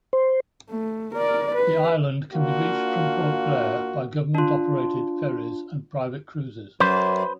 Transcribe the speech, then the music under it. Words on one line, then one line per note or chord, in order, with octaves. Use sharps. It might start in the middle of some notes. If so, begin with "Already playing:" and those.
The island can be reached from Port Blair by government-operated ferries and private cruises.
C5
A3
A#4 D5
B4
A#3 D4 F4 F#4
D4 F4
F#2 B4 C5